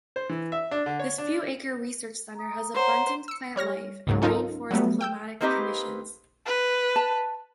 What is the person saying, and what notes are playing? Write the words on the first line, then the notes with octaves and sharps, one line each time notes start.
This few acre research center has abundant plant life and rain forest climatic conditions.
C5
E3
E5
D4
D3
C#5
D4
A#5 D#6
C5 C#5 F#5 A#5
E6 C#7
G3 C#5 F6 A#6
C#2 G#2 F#3
C#4 D#4 F4 A4 A#4
F#3 G3 A3 B3
G5 E6 G6
A#3 C4 D#4 G4 B4 D#5
B4
A5